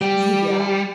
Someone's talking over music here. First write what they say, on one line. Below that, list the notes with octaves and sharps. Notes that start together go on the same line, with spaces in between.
Y yeah,
G3